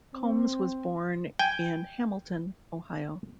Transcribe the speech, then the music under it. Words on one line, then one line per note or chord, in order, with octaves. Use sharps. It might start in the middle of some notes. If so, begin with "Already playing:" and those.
Combs was born in Hamilton, Ohio.
C4
G5 G#5